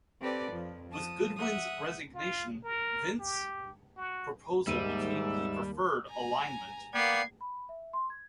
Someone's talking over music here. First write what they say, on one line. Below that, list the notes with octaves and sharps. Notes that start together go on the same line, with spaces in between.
With Goodwin's resignation, Vint's proposal became the preferred alignment.
C4 G4 A4 B4 D5
F2 F3
F3 A5 D#6
E5 F#5 D#6
F4
A#4
G4
F#4
D#2 G#2 G3 E5 E6 D#7
G#5 A#5
A#3 B3 D5 G5 G#6 C7
B5
E5
C6
G#6